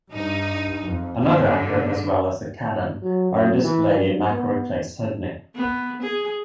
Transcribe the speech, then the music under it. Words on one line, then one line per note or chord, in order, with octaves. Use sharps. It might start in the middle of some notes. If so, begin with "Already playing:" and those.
Another anchor, as well as a cannon, are on display in Macquarie Place, Sydney.
G2 D#4
F2
G2 D3
F#3
F#2
E3
F#2
B3
B3
G#4